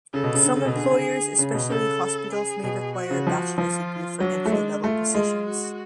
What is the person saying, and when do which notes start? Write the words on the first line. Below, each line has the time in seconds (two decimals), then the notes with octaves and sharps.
Some employers, especially hospitals, may require a bachelor's degree for entry level positions.
0.13 C#3 A4
0.23 B2
0.34 C#3
0.44 D3
0.55 C#3
0.66 B2
0.76 D3 G#4
0.84 C#3
0.91 D3
1.39 C#3
1.54 B2
1.69 C#3 A4
2.32 G#4
2.63 B2
2.95 F#4
3.11 C#3
3.27 F3
3.58 F3 F4
4.20 F#3 D4
4.46 A3
4.52 G#3
4.84 A3 F4
5.14 G#3
5.45 F#4